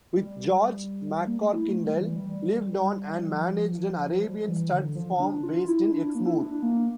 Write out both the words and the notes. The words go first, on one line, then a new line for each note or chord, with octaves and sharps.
With George, MacCorkindale lived on and managed an Arabian stud farm based in Exmoor.
G3
A#3
A3
E4
A3
G3
E3
G3
F3
G3
E3
D3
F3
D4
F4
F4
E4
D4
A#3
E4
D4
D4
A#3